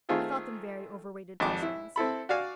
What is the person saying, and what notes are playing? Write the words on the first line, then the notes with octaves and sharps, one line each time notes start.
He thought them very over-rated persons.
D#3 A3 C4 F4 G#4 A4
G#1 F2 A5 D6
E4
C4 E4 A4 B5
F#4 D5 F5 G#5